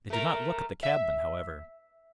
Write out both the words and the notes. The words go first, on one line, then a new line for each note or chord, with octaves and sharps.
They did not look at the cabman, however.
A3 A#4
E5